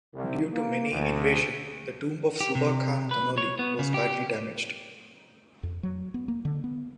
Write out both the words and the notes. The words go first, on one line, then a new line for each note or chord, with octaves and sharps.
Due to many invasion the tomb of Suba Khan Tanoli was badly damaged.
C2
A#3
D2
G4
C3
B4
C#5
B3
C#3
G4
F2
F#3
B3
A#3
D3
B3